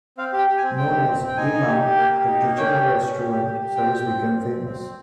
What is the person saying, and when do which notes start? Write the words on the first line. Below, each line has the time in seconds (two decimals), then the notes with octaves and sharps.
Known as "The Mount", her kitchen and restaurant service became famous.
0.17 C4 F5
0.33 G4
0.38 G5
0.47 G4
0.57 G#5
0.63 C4
0.78 C4 G5
0.92 G4
1.07 C4
1.23 C4 G5
1.37 D#4 G#5
1.53 D#4
1.67 G4
1.82 G4
1.97 A#3
2.12 G4
2.27 D#4
2.42 A#3
2.57 C#4 G5
2.72 G4
2.87 C#4
3.01 C#4
3.16 G4
3.31 G4
3.46 G4
3.62 G4
3.76 C4 G5
3.91 G4
4.06 C4
4.21 C4
4.36 C4
4.51 C4
4.67 C4
4.81 C4